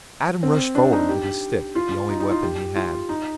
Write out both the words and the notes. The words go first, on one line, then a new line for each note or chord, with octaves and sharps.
Adam rushed forward with his stick, the only weapon he had.
C4
D4
D#4
G4
F4
D#4
D#4
F4
G4
F4
D#4